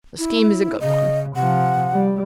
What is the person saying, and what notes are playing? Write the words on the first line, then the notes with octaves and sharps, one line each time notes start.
The scheme is a good one.
E4
C#3 D#5
C3 F3 F#5
G3